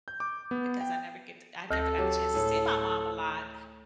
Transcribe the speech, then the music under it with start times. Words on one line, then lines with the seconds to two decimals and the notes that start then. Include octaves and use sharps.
because I never get to I never got a chance to see my mom a lot,
0.08 G6
0.20 D6
0.51 B3
0.81 G5
1.71 D2 A4 G6 A#6
1.98 F#3 G4
2.34 A2 G#4